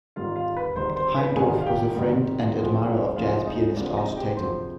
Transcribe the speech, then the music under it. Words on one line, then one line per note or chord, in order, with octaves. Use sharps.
Heindorf was a friend and admirer of jazz pianist Art Tatum.
G#1 G#2 D#3 G3 F4 F5
F4 F5
B4 B5
G#1 G#2 D#3 G3 C5 C6
C5 C6
B4 B5
G#1 G#2 D#3 G3 G#4 G#5
F5
G4 G5
G#1 G#2 D#3 G3
D2 C3 F3 G#3
D2 C3 F3 G#3 F4 F5
D#4 D#5
D2 C3 F3 G#3 D4 D5
D#4 D#5
G4 G5
D2 C3 F3 G#3 C5 C6